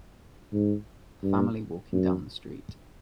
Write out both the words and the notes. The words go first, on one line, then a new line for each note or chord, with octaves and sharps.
A family walking down the street.
G#2
G2
F#2